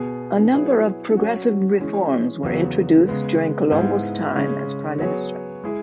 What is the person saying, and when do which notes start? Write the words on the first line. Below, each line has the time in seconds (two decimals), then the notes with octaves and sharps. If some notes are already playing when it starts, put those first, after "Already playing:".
A number of progressive reforms were introduced during Colombo's time as prime minister.
Already playing: B2 B3 G#4
0.52 F#3 B3 E4 G#4 C#5
1.17 F#3 C#4 F#4
1.80 E3 G#3 C#4
2.43 E2 C#3 F#3 B3
3.08 C#3 G#3 B3
3.71 G#2 G#3 B3 E4
4.35 C#3 G#3 C#4
4.99 F#3 B3 G#4 C#5
5.64 G#3 E4 G#4